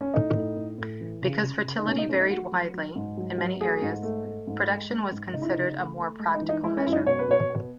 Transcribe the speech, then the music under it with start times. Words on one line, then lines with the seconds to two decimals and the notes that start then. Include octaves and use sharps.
Because fertility varied widely, in many areas, production was considered a more practical measure.
0.01 C#4
0.14 A2 D#4
0.35 A2
0.56 A2
0.78 A2
1.01 E3
1.22 C#3
1.43 C#3
1.65 C#3
1.79 D#4
1.86 B2 C#4
1.98 D#4
2.09 A3 C#4
2.20 D#4
2.30 A3 F#4
2.52 F#3
2.74 F#3
2.96 G#2
3.17 F#3
3.38 F#3
3.60 A3 G#4
3.82 G#2
4.03 A3
4.25 A3
4.47 G#2
4.68 G#3
4.90 G#3
5.12 G#2
5.33 C#3 D#4
5.42 E4
5.52 C#3 D#4
5.77 A3
5.98 A3
6.19 G#3
6.34 D#4
6.41 E3
6.49 D#4
6.63 G#3 E4
6.77 C#4
6.85 F#2 E4
6.92 D#4
7.06 B2 C#5
7.19 B4
7.28 B2 C#5
7.50 B3